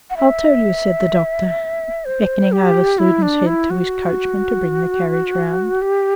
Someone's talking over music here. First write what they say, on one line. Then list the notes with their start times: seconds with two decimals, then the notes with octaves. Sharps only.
"I'll tell you," said the doctor, beckoning over Sludin's head to his coachman to bring the carriage round.
0.10 F#5
0.17 E5
2.05 C5
2.52 G4
2.99 E4
3.22 D4
3.46 E4
3.70 F#4
5.82 G4